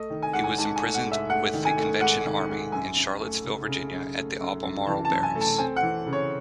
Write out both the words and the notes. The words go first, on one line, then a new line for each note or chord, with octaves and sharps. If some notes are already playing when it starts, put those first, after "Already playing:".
He was imprisoned with the Convention Army in Charlottesville, Virginia at the Albemarle Barracks.
Already playing: A3 D#5
D#3
G#5
G#2 F#5
G#5
G#2 A5
G#5
A3
F#5
G#2
E5
A3 F#5
D#3
G#5
A3
G#2 F#5
D#3
G#2
F#2 G#5
F#2
A3
C#3
C#3
F#2
A3
F#2
F#2
E3 A5
A5
F#2
G#5
A3
A5
C4 G#5
F#5
E3
C#3
C#5